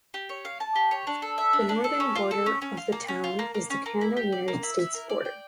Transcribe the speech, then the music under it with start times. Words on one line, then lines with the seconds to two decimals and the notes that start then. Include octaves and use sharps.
The northern border of the town is the Canada-United States border.
0.14 G4
0.29 C#5
0.45 F5
0.60 A5
0.76 G4
0.91 C#5
1.07 D4
1.22 A4
1.38 E5
1.53 D4
1.69 D4
1.84 A4
2.00 C#4
2.15 F4
2.31 A4
2.46 C#4
2.62 C#4
2.77 F4
2.92 A#3
3.08 C#4
3.24 F4
3.39 A#3
3.55 A#3
3.70 C#4
3.86 A#3
4.01 E4
4.17 G4
4.32 D5
4.48 A#3
4.63 E4
4.79 E4
4.94 A#4
5.10 D5
5.25 G5